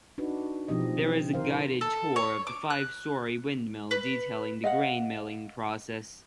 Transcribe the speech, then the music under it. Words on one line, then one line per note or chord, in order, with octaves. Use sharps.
There is a guided tour of the five-storey windmill detailing the grain milling process.
D4 D#4 F#4 B4
B2 F3 C4 D#4 G4 D#5
C4
D#3 A#4 C5 F5
A4
C#5
D6
F#6
B4
D#5 F5 F#5